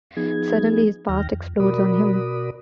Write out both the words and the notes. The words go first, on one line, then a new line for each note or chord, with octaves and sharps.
Suddenly his past explodes on him.
F3 B3 D#4 G#4 G#6
D#2 D#3 G5 F6 A#6
F2
B2 F#4 A#4 D5 B5 D#6